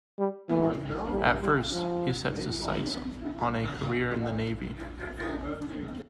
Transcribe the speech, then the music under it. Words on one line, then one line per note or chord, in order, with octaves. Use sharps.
At first, he set his sights on a career in the Navy.
G3
E3
G3
G3
F3